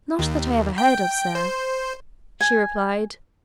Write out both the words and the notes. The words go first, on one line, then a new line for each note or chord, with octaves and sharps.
"Not that I ever heard of, sir," she replied.
D#2
G5
C5
G#5